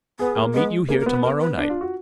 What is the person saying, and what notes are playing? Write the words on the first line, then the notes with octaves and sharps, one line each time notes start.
I'll meet you here to-morrow night.
B3 G#4
A#3
G#3 B3
A#3 G#4
A#4
B3
B4
B3 A#4
B4
D4
F4
F#4